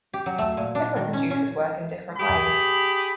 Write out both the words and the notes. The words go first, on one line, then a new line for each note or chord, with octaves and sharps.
Different producers work in different ways.
G4
F#3
A3
A#2
D4
D#3
C#4
C#4
G4 G#4 B5